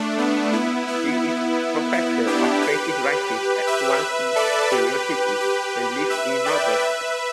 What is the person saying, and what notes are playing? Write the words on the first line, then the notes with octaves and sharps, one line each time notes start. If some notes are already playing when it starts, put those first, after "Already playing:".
She is Professor of Creative Writing at Swansea University, and lives in Mumbles.
Already playing: A3 D4
B3
B3 E4
B3 E4
B3 E4
D4 G4
G4 B4
B4 E5
A4 D5
G4 B4
G4 B4
B4 E5
D5 G5
B4 E5